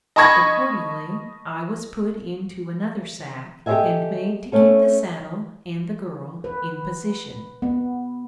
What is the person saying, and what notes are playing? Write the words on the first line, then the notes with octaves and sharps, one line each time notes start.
Accordingly, I was put into another sack and made to keep the saddle and the girl in position!
D#5 A5 B5 C#6 G#6 A#6
G4 A4 C5 D#5 E5 G#5
A3 C#4 A4
B4
B3